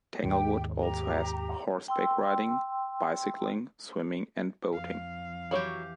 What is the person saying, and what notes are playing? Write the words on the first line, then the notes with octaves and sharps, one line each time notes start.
Tanglewood also has horseback riding, bicycling, swimming and boating.
D#2 G#2 D#3 G4 G5
G4 A#5
G5 C6 E6
F2 F5
E3 F#3 G4 C#5 B5